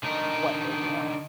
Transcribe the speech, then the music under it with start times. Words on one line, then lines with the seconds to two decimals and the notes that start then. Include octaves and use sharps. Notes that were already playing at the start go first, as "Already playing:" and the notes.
what they're doing.
0.03 D3 D#4 A#4